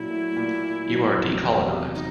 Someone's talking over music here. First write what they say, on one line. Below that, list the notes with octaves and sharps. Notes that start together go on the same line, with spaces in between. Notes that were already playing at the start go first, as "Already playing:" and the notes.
You are decolonized.
Already playing: A#2 F#3 E4
A3
A#2
A#2
F#3
F1
E2
C3
D#4